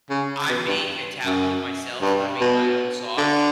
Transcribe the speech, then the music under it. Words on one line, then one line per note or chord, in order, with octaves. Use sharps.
I make Italian myself, and I make my own sauce.
C#3
B2
G2
F#2
G2
B2
D3